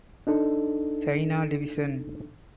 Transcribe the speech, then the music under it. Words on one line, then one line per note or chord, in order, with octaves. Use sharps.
China division.
D4 D#4 A4